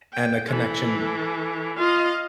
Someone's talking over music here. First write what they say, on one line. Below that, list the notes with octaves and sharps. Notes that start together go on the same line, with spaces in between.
and a connection
G5
E3 A4
F4 D#5 F5